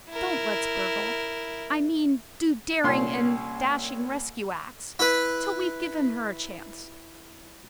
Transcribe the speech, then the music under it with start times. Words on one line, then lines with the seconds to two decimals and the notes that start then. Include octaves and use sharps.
'Don't let's burgle--I mean do daring and dashing rescue acts--till we've given her a chance.
0.10 E4 A#4
2.84 C2 A#2 C#4 G5 C6
4.99 E4 B4